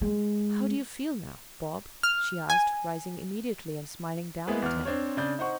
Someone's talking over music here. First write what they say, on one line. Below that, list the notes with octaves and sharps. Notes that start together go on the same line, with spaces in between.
"How do you feel now, Bob?" she asked, rising immediately and smiling down at him.
G#3
F6
G#5
G#3 A#3 B3 E4 G#4 B4
E2 B3 F6
C4 D4 C5 C#5
C#3 D4 D5 G6
D#4 C5 F#5 C#6